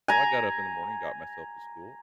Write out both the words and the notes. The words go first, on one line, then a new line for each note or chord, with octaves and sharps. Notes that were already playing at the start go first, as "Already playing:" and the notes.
So I got up in the morning, got myself to school,
G#5 A#5